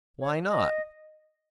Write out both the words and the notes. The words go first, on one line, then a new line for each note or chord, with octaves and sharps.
"Why not?"
C#5
D#5